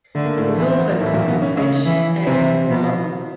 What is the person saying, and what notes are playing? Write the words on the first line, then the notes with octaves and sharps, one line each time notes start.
It is also cooked with fish, eggs or mutton.
D3 A3
A#3
A2 A3
E3
C4
B3
A#3
A2 E3 A3
A#2 A#3
B2 B3
C#4
C#3 C#4
E3
C3 E3 C4
B2